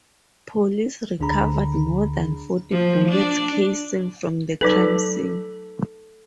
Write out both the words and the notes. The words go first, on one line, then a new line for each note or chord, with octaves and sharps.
Police recovered more than forty bullet casings from the crime scene.
D2 D3 D4 G#4 A#5 B5
F3
D4
F#3 D#4 A4 B4